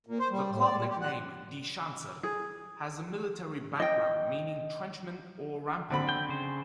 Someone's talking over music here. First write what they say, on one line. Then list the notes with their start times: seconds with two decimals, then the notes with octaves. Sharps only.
The club nickname "Die Schanzer" has a military background, meaning trenchmen or rampartmen.
0.06 A#2
0.19 C5
0.31 G3
0.51 A2
0.63 D5
0.77 A#2
0.90 G4
1.01 F#5
2.23 G#4
3.80 D#5 G5
5.90 D3 C4 B5
6.09 G5
6.29 C#3 C5